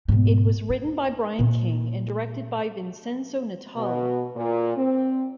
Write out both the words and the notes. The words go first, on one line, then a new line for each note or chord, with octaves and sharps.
It was written by Brian King and directed by Vincenzo Natali.
G#2 B2
E4
A#2
B2
A#2
C4